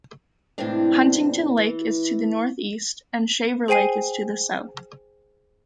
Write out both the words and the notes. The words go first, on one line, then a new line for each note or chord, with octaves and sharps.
Huntington Lake is to the northeast and Shaver Lake is to the south.
A2 C3 E3 G#3 C4 D4
E3
G#4 C5 G5 G#5 C7 D#7